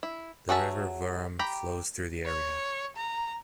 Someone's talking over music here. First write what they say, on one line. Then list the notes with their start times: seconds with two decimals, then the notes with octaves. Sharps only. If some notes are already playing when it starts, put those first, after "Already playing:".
The river Wurm flows through the area.
0.03 E4
0.49 F#3 F#4 G#4 E5 A5
1.39 G4 G5 A#5 B5
2.26 C#5
2.96 A#5